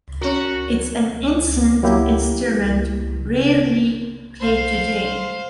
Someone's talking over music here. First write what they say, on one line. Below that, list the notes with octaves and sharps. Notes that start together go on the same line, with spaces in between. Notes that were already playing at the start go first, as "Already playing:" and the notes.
It is an ancient instrument rarely played today.
C#4 F#4 A#4
F#3 A#3 E4 G4
C5 F5